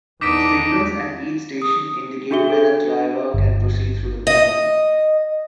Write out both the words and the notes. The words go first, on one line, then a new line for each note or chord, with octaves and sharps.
Signals at each station indicate when a driver can proceed through the tunnel.
E2 D4 D#4 D6 B6 D7
D#6
D4 F#4 G#4 E5 G7
D4 A4
G1
D#5